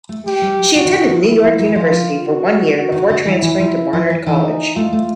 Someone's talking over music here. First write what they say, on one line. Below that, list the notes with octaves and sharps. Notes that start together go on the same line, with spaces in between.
She attended New York University for one year before transferring to Barnard College.
A3
G#3 G4
G3
F#3
C3 F#4
D#3
D3
D#3
E4
F3
F#3
E3
F3 F4
F#4
F#4
D#3
D3
E3 E4
E3
F3
F3
E3
E3 D#4
A3 F4
A3